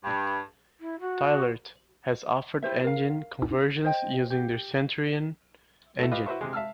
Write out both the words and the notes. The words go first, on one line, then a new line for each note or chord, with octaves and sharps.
Thielert has offered engine conversions using their Centurion Engine.
G2
E4
F#4
E4 G4 C5 E5
A#4 F5
C5 D#5 G5
G4
A3 E4
F4 G4 B4 D#5
E4 F#4 B4 C5 E5 C#6
C3 G#3
E5 F5 A5 E6 F6